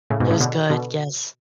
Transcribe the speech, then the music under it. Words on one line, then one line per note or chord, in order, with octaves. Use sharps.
It was good, yes.
A2 C#3
G#2 B2
A2 C#3
B2 D3
B2 D3